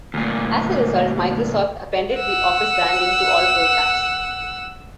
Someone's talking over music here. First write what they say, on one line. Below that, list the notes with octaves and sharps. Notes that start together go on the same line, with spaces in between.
As a result, Microsoft appended the Office branding to all programs.
D2 A#2
F#5 E6